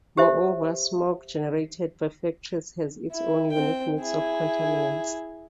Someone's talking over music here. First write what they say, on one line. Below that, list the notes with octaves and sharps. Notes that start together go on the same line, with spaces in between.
Moreover, smog generated by factories has its own unique mix of contaminants.
G4 C5 E5
E4
C4 G5
E4 G#4